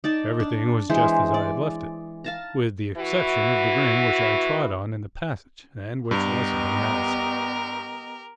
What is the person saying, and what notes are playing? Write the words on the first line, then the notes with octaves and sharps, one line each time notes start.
Everything was just as I had left it, with the exception of the ring which I trod on in the passage, and which Lessingham has.'
D#4 D5 A5
D4
E3 G#3 G#4 C5
D5
F5 A5 A#5
E3 E4 F#4
G2 B3 G4 A#4 D#5